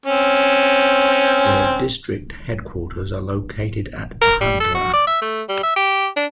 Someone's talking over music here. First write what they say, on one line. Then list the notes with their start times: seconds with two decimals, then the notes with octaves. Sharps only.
The district headquarters are located at Bhandara.
0.06 C4 C#4
4.21 A#4
4.41 G3
4.60 A4
4.75 F#4
4.93 D5
5.07 E5
5.22 A3
5.49 G3
5.63 E5
5.76 G4
6.16 D4